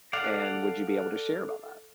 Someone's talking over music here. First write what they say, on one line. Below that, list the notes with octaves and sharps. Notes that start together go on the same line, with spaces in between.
And would you be able to share about that?
A4 D5 F5 F#5